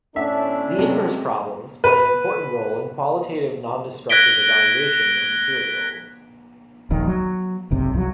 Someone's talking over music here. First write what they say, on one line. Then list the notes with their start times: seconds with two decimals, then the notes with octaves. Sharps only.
The inverse problems play an important role in qualitative nondestructive evaluation of materials.
0.16 A2 C#4 D4 E5
0.79 C3 F#3 G#3
1.84 B4
4.10 F#6 G#6 A#6 B6 D7 G7
6.90 D#1 A#1 D#2 D#3
7.07 F#3
7.71 F#1 B1 C3
7.94 C2 E3 F#3